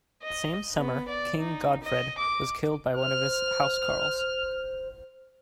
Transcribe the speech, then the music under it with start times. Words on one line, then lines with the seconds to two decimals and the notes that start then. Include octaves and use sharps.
That same summer King Godfred was killed by one of his housecarls.
0.22 D#5
0.76 B3
1.08 D5
1.40 D#4
1.84 D#5
2.18 D6
2.95 C5 F6